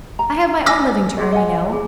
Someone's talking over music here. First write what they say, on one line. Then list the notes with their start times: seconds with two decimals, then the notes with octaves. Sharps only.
I have my own living to earn, you know.
0.19 A#5
0.66 D#4 D5 G#5 D6 E6 A#6
1.17 G4 G#4 D#5 C6
1.32 D#5 F#5 G#5
1.69 E4 F4 G#4